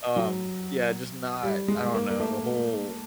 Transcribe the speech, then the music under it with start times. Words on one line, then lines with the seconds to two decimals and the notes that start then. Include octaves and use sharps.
um, yeah, just not I don't know, the whole
0.16 F#3
1.43 G3
1.68 G#3
1.94 A#3
2.11 A#3
2.20 A3